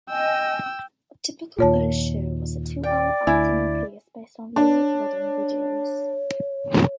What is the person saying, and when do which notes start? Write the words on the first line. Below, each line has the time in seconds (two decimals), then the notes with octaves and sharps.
A typical early show was a two-hour afternoon piece based on viewers' wedding videos.
0.10 D#5 G5 G#5 E6
1.59 D#2 A#2 F4 C#5 A5
2.83 D5 G5
3.27 D2 E4 G#5
4.56 D4 C#5